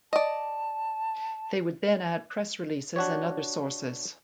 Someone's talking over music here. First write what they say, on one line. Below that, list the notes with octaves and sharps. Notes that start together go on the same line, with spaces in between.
They would then add press releases and other sources.
D5 D#5 A5
D4 F#4 G4 C#5